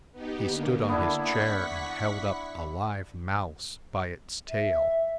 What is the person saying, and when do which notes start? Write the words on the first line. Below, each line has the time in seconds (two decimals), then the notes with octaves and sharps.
He stood on his chair and held up a live mouse by its tail.
0.12 B3 D#4 G4
0.48 D3 A#3
0.89 B3 D4 E4
1.21 F#5 C#6 B6
4.49 E5